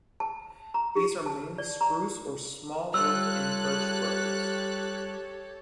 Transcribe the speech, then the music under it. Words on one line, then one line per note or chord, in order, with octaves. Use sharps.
These are mainly spruce or small oak and birch groves.
A5
A#5
G4
A5
D5
A#5
G3 F4 G4 A4 C#5 E6 F#6